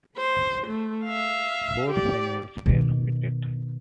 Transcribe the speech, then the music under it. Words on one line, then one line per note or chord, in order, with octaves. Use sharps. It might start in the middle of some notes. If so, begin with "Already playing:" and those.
Four funnels were fitted.
C5
A3
E5 F5
G4 D5
B2 D#3